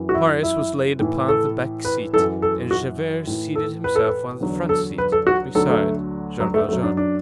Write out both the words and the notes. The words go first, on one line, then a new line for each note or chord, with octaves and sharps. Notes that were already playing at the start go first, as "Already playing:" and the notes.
Marius was laid upon the back seat, and Javert seated himself on the front seat beside Jean Valjean.
Already playing: F#2 E3
F#4
E4
E4
A2 E3
A4
B4
F#2 E3 A4
A4
F#4
A2 E3
A4
B4
A4
B4
E2 D3 F#3
A4
B4
A4
F#4
D2 D3 F#3 A4
A3
F#3
A3
F#2 F#3 A3
D4
D4